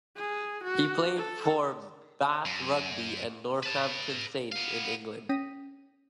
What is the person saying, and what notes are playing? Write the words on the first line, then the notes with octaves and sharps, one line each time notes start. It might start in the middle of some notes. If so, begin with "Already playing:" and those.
He played for Bath Rugby and Northampton Saints in England.
G#4
F#4
A4
F#2
B4 A5
B3 F5
C#4 G5 D#6 A#6 B6 D#7